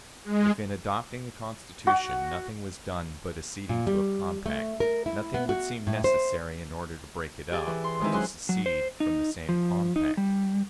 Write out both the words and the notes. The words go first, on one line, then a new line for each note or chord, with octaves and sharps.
If, in adopting the Constitution, nothing was done but acceding to a compact, nothing would seem necessary, in order to break it up, but to secede from the same compact.
G#3
F#4
A#2
G3
A3
A#4
E4
B3
F#4
A2
C5
G4 G#4 D5
E3
C6
D#3 G#3 C4 D#4 E4
F#3 C#4 G#4 C6 F#6
F#3
C5
D#4
F3
D#4
G3